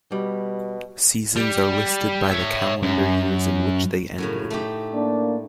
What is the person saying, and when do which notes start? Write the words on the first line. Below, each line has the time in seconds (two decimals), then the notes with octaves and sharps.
Seasons are listed by the calendar years in which they ended.
0.12 B2 G3
1.36 G3
2.31 C#5 E5
2.83 F#2
4.18 F#2 A2 C#3
4.50 A3 D#4 G4
4.93 A#3 D4